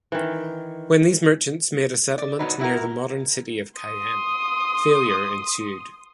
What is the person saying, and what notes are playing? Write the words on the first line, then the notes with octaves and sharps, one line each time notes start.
When these merchants made a settlement near the modern city of Cayenne, failure ensued.
D#3 E3
D5
B2 D#3 F#3 D#4 B4
B3 E4 F#4 A#4
C6 D#6